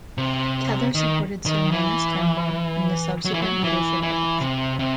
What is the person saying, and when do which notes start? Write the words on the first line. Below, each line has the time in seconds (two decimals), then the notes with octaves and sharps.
Teather supported Sir Menzies Campbell in the subsequent leadership election.
0.18 C3
0.95 D#3
1.46 D#3
1.72 E3
3.25 F#3
3.34 E3
3.42 F#3
3.64 E3
4.03 E3
4.41 C3
4.79 C3